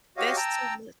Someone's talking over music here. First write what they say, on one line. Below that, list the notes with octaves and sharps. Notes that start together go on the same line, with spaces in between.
That's too much
F#4 G4 C#5 D#5 F5
G5 A5 A#5 E6